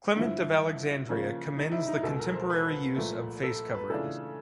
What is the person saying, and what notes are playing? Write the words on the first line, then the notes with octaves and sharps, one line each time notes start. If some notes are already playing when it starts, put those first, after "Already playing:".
Clement of Alexandria commends the contemporary use of face coverings.
G2 D3 F3 E4
C#3 F3 A#3 C#4 F4
D#4
E4
D#4
C#2 B2 G#3 A4
A#4
C5
B4
C2 A#2 F3 A3
A4
B4
C#3 E3 A3 D4 F4 A4